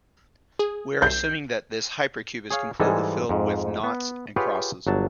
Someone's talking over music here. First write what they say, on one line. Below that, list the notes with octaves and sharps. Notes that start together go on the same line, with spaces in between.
We are assuming that this hypercube is completely filled with "noughts" and "crosses".
G#4
C2 G6 C7
G#4 C#5 F5
G#2 E3 G3 G#3 A4 G#5
F2 G#2
B3
F4 G4 G#4 B4 C#5 F#5
G1 F#3 A5